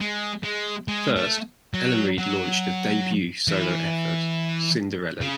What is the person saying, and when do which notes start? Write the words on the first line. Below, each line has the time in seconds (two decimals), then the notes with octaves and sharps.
First, Ellen Reid launched her debut solo effort, "Cinderellen".
0.01 G#3
0.44 G#3
0.88 G#3
1.16 A3
1.74 F#3
2.18 F#3
3.48 E3
5.21 C#3